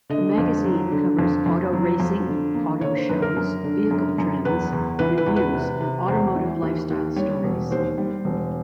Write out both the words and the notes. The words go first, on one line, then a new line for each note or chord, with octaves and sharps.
The magazine covers auto racing, auto shows, vehicle trends, reviews and automotive lifestyle stories.
D3 D#5
F2
F#3
D3
F2
F2
F#3
F2
D3
A#3
D3 C#5
C5
F#2 B4
A#4
F#2
D3
F#2
F#2
E2 B4
E2
E3 B4
B4
E2
B4
C3
C3
E2 C5
E3
D#2
D#2
G3 C#5
E1
D#2 C5
G3
E1